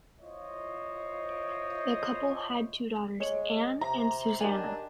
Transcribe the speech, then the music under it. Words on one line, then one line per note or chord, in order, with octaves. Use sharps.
The couple had two daughters, Anne and Susannah.
E4 F4 C5 C#5 D#5
G#3 C#5
C3 A#5
D#3 D4 G4 G#5